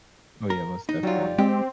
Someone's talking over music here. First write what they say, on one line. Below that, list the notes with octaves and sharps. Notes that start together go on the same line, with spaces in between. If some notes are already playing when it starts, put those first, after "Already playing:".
Oh yeah, most definitely.
A#4
D#4
F#3 G3 F4
G#3 C4 G4